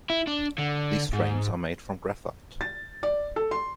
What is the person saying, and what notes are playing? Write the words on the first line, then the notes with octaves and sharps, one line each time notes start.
These frames are made from graphite.
E4
D4
D3
G#2
A6
D5
A4
C6